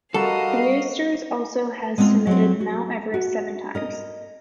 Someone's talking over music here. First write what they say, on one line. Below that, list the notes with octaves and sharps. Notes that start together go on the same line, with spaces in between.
Viesturs also has summitted Mount Everest seven times.
G3 F#4 A4 A#4 D#5 F5
G#3 B3 C4 D4 F4
F#3 C4
F#4
F#4
A#4 D#5